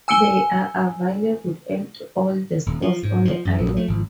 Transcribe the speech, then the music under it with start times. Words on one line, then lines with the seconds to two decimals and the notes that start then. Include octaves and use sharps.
They are available at all the stores on the island.
0.08 G#5 E6 C#7 D7 G7
2.66 D#1
2.82 F3
3.03 G#2
3.25 F3
3.45 F#2
3.58 A#1
3.77 A3
3.88 G#1